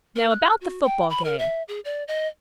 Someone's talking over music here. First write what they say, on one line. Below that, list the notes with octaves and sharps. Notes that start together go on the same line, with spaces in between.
Now about the football game.
A#4
F#6
F#4
G5
B5
A#4
E5
G#4
D5
D#5